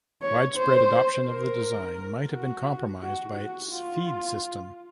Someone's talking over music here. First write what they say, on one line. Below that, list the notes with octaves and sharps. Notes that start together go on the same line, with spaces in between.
Widespread adoption of the design might have been compromised by its feed system.
C#5
C5
A#4
F#4
F#4
F#4
F4